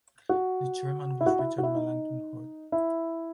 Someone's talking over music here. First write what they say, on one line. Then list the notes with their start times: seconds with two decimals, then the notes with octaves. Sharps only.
The Chairman was Richard Melancthon Hurd.
0.29 F#4
1.21 E4
1.26 F#4
1.39 E4
1.58 F#4
1.63 E4
1.75 D#4
2.72 E4